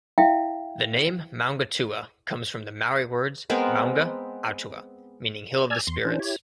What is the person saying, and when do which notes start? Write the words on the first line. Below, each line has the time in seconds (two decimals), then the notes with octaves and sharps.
The name Maungatua comes from the Maori words "Maunga-atua", meaning "Hill of the spirits".
0.18 E4 E5 F5 G5
3.50 G#3 B3 C4 A#4
5.70 D5 G#5 A5 E6 F6 G#6
5.87 E2 C6
6.05 E3 C#4 D4 C5
6.19 E4 G4 C#5